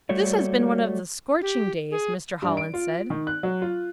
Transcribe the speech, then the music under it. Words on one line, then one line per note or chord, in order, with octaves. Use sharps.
"This has been one of the scorching days," Mr. Holland said.
G3 A3 F#4 C#5 D5
G4
G#4
G2
D7
F4
D#3
F#6
F#3
F4